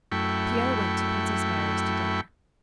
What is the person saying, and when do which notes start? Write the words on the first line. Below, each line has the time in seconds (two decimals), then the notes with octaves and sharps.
Pierre went to Princess Mary's to dinner.
0.12 F#2 A3 E4 G5 B5 C#6